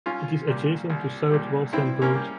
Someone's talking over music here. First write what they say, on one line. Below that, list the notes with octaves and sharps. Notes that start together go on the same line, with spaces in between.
It is adjacent to South Walsham Broad.
C2 C#4 F4
A#2 G3
C2
A#2 G3
G2 C4 E4
A#3 C#4
G3